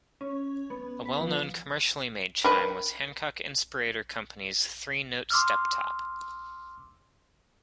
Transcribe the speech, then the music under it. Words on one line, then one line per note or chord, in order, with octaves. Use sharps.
A well known commercially made chime was Hancock Inspirator Company's three-note step top.
C#4
B3
B4
F3
A#4 B4
C6 D6 E6 F6